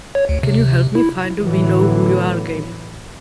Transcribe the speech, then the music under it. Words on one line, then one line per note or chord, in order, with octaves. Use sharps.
Can you help me find the We No Who U R game?
C#5
D2
C3
E4
A2 D3 E3 F#3 B3